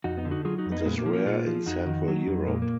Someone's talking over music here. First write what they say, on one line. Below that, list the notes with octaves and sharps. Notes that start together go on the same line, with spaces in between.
It is rare in Central Europe.
F2 D#4 F#4
B3 D#4
D3
D#4 F#4
F#3 F4 G#4
D#4 F#4
F2
B3 D#4
A#3
A#2 G#3 B3
A#3
F3
A#3
A#2 F4 G#4
F3
F2 D#4 F#4
D#3
F#3
F2
A#2 G#3
A#3